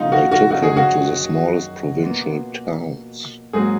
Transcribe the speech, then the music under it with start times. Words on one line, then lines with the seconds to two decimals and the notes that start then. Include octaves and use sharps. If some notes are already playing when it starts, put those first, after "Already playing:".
They took him to the smallest provincial towns.
Already playing: C#3 F3 A#3 D#4 F4
0.12 F#4
0.31 F#4
0.49 F#2 D#3 F#3 C#4 F#4
0.63 G#4
0.77 F#4
2.02 B2 A#3 F4
3.53 G#2 F#3 A#3 C#4 F#4 G#4